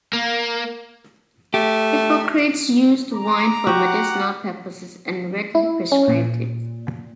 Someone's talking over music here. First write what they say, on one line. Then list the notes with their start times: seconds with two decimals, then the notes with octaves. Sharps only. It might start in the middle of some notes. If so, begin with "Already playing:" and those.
Hippocrates used wine for medicinal purposes and readily prescribed it.
0.13 A#3
1.54 A3 G4
3.14 A#5 D6
3.67 F#4 G4 F#5
5.55 E4
5.92 C#4
6.08 A#2